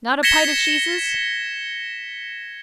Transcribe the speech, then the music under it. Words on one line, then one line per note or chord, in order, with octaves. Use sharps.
Not a pite of sheeses?
G#6 A#6 B6 C#7 E7 G7